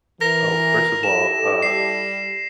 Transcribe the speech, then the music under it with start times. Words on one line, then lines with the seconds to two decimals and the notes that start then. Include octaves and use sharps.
Oh, first of all, uh,
0.21 E3 A#4 A#6
1.03 E4 G4 A4 E7
1.62 G3 C7